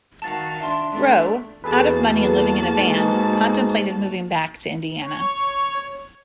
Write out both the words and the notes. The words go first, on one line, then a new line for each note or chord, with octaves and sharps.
Roe, out of money and living in a van, contemplated moving back to Indiana.
D#3 F#4 F5 A5 A6
D4 E5 A5 C6
A3 D4
E2 A#3 F#4 G#4 A4 B4 A5
G#2
C#5